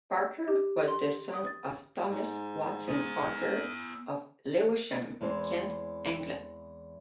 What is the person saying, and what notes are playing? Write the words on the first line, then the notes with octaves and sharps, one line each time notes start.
Parker was the son of Thomas Watson Parker of Lewisham, Kent, England.
G4
C6
D#6
A6
G#2
B3 G#5
E2 E3 G#3 C4 C5